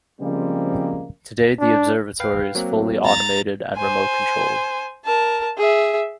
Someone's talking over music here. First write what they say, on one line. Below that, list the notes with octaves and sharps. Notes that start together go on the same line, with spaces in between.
Today the observatory is fully automated and remote controlled.
C#3 F3 G3 G#3 A#3 C4
D4
B4 F5 G5
F#3 A#3 C4
A#5 A6
C5 G#5
A#4 A5
G#4 E5